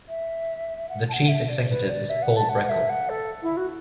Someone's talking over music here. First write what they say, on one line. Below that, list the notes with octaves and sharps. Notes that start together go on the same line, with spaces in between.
The Chief Executive is Paul Breckell.
E5
F#5
A5
F#5
E5
D5
B4
D5
E5
F#5
A5
F#5
E5
F#5
A4
E4
F#4